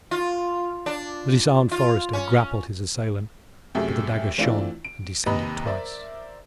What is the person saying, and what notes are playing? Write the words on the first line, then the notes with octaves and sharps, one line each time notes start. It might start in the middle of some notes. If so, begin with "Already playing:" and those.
The disarmed forester grappled his assailant; but the dagger shone and descended twice.
F4
D4
F4
C#4
F#2 C3 A3 G#4 E5 G5
E3 A3 C4 D4 E4 F4
D7
D#2 C3 B4 D#5 A#5 B5
A#4 C5 D5 E5